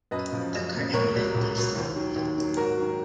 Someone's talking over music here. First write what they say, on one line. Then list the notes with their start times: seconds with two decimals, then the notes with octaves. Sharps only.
The curtain lifted slowly.
0.11 F#2 B4 D#5
0.32 C#3 F3
0.52 F#2
0.73 C#3 F3
0.93 C#2 A#4 C#5
1.14 B2 F#3
1.35 C#2
1.55 B2 F#3
1.75 D#2
1.96 D#3 F#3
2.16 D#2
2.37 D#3 F#3
2.57 G#2 F#4 A#4
2.77 D#3 F#3